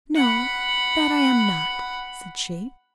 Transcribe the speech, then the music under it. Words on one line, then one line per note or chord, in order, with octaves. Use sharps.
"No, that I am not," said she.
F#5 B5